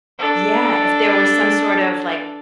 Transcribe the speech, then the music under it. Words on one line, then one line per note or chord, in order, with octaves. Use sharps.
Yeah, if there was some sort of, like,
D4 A4